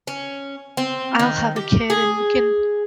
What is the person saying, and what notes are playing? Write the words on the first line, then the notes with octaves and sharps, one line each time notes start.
I'll have a kid, and we can
C#4
C4
D#3
G4
G#4